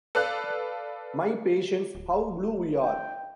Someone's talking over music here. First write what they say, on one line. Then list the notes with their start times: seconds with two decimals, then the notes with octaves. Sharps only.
My patience, how blue we are!
0.15 A4 B4 D5 F5 F#6
1.95 D1
2.80 G5